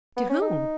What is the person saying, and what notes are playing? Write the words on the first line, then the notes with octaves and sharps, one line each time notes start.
"To whom?"
B3
C#4
D#4